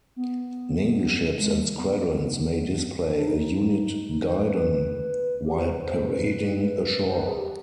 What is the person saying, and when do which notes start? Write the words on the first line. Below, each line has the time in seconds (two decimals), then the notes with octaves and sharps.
Navy ships and squadrons may display a unit guidon while parading ashore.
0.16 B3
1.38 G#3
1.59 G3
1.79 B3
3.14 D4
3.28 D#4
4.23 C5
4.36 B4
4.50 B4
5.45 G4
5.58 C5
5.72 B4
5.85 C5
6.06 B4
7.08 C5
7.18 B4
7.28 G#4
7.38 G4